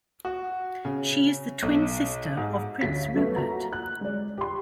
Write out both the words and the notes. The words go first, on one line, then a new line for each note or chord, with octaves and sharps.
She is the twin sister of Prince Rupert.
F#4
C#3
B1
G#2
D2 C#4 F5 B6
F#3 A3 B3
A#3 F#4 A#5
F#6
G#3 D5
G4 C6